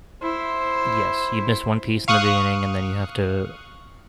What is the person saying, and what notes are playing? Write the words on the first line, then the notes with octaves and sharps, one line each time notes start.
Yes, you've missed one piece in the beginning and then you have to
E4 C5
F5 C#6 D#6 F6 F#6